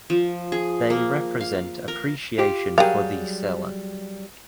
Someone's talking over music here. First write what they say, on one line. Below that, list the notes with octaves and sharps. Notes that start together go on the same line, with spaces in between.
They represent appreciation for the seller.
F3
G#4
A#3
F5
A#4
F4 G4
F#3 G3 G4 G#4 A#4 F5